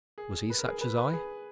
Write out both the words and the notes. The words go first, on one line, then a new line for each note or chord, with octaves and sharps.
Was he such as I?
G#4
B4
A#4
G#4
B4
B4
G#4